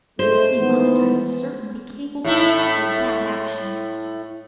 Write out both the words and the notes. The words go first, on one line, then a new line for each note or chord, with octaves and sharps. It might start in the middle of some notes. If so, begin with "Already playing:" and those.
He must I am certain be capable of every bad action!
G#3 A3 C5
D#3 E3 B3
A2 A3 E4